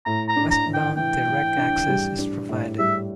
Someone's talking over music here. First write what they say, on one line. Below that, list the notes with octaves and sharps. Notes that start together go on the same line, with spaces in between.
Westbound, direct access is provided.
A2 A#5
A#5
D4
A#5
E3
G5
E3 G5
E3
D4
G3
D4
A2
G3 E5